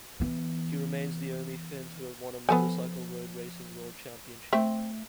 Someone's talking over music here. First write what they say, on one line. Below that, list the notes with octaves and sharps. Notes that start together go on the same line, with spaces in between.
He remains the only Finn to have won a motorcycle road racing world championship.
E3 B3
F3 B3 A4 G#5
A3 C4 E5